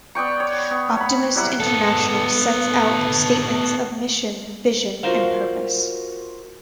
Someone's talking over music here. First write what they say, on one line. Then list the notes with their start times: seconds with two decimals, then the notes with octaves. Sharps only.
Optimist International sets out statements of mission, vision and purpose.
0.15 B3 D5 G5 C#6
0.40 C#5
0.71 B3
0.97 C#5 B5
1.35 F#3 G3 E4 F#5
1.60 B3 A4
5.03 F4 F#4 A#4 C5 F5